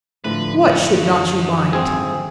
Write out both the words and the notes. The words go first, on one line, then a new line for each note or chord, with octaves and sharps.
"What should not you mind?"
A2 D3 F3 B4
F#2 C#5
G#1 C4 G#4